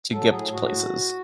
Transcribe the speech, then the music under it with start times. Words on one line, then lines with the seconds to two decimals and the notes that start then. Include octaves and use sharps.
to get to places.
0.12 F#3 A4
0.32 A2 G#4
0.53 A2 F#4